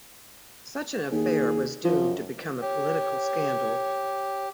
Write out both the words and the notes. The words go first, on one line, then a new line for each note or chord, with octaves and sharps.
Such an affair was doomed to become a political scandal.
D#2 G#4
F#2 F3
G4 C#5